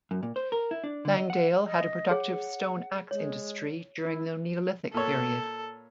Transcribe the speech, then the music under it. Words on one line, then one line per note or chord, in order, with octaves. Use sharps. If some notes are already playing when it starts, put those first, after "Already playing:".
Langdale had a productive stone axe industry during the Neolithic period.
F#2
A#2
C5
A#4
E4
D4
D3
D#5
F#5
D#5
G#4 C#5 F#5
G#3 C#5
E4
A#2 A4 C#5